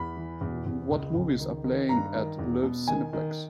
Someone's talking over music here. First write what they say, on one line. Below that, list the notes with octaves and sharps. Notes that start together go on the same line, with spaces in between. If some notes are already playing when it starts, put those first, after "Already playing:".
What movies are playing at Loews Cineplex?
Already playing: E2 B5
E3
E2
E2
C#2
C#2
D#3
D#3
G2 A#5
D#3
E2
B2
D#3 G#5
D#3